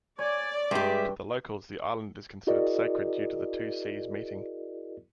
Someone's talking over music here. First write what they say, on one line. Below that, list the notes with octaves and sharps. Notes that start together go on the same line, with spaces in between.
To the locals the island is considered sacred due to the two seas meeting.
C#5 D5 G#5
G2 G#3 G4 E5 G5
E4 F#4 G#4 A#4 D5 D#5